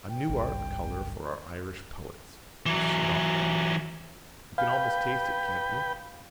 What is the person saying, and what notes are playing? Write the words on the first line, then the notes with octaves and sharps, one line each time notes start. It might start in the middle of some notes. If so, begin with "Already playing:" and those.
A new art colour for our Irish poets: snotgreen. You can almost taste it, can't you?
G5
G#1 C#2 G2
E3 F#3
B4 F5 G5